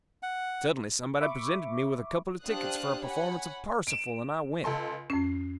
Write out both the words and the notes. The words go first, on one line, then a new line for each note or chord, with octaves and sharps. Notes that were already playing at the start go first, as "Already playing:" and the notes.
Suddenly somebody presented me with a couple of tickets for a performance of Parsifal and I went.
F#5
E5 B5 C#6 D6
D4 G4 C5 F5 D#6 F#6
C#5 F#5 G#5 B5
D7 E7
C#2 A4 C6
F2 C#4 C7